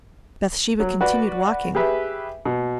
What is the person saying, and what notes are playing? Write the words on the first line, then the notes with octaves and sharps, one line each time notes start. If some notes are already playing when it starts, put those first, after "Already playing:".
Bathsheba continued walking.
F#3
F#4 B4 D5
G4 G#4 B4 E5
B2